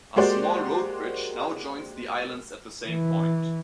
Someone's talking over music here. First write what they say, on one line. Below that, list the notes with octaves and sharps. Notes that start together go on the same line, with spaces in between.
A small road-bridge now joins the islands at the same point.
G#3 A#3 F#4 G4 C5 D5
E3